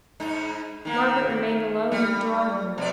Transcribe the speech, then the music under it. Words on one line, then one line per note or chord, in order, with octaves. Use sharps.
Margaret remained alone in the drawing-room.
G#2 D#4
D#3 A#3
G3
B2 D5